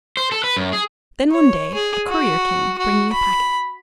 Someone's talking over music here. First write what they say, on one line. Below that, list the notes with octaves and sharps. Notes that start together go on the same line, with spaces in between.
Then one day a courier came, bringing a packet.
C5
A4
B4
F#2
G#4
C#5
G#4
F#4
F#4
B5